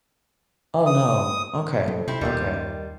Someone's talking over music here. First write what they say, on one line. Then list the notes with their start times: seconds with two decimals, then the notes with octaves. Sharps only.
Oh, no. Okay, okay.
0.86 D#6
1.88 F2 F#3
2.08 C3 C4 E4
2.21 D#2 D#3 G3 F4